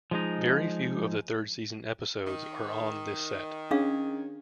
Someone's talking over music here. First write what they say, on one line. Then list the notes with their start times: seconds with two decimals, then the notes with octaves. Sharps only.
Very few of the third-season episodes are on this set.
0.11 F3 G#3 D#4
2.25 D#3
3.71 C#4 D4 G#4 F5